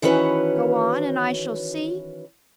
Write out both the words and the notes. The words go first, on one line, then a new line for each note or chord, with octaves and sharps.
Go on, and I shall see?
D#3 E3 C#4 F#4 B4 C#5